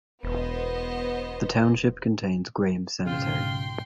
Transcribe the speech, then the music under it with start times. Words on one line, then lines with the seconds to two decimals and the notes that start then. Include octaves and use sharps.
The township contains Graham Cemetery.
0.23 E1 B3 C5 D#5
3.06 B1 G#2 C#3 F4 G5 C6